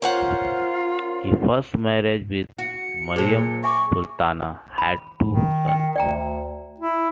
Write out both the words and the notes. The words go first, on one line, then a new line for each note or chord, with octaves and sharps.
His first marriage with Maryam Sultana had two sons.
C#4 F4 A#4 C5 F#5
F#4 C#7
A#2 F#3 G#4 C5 A5
E5 G#5 C#6 D6
B5
D#3
G5
D2 D5 G5 A#5
E4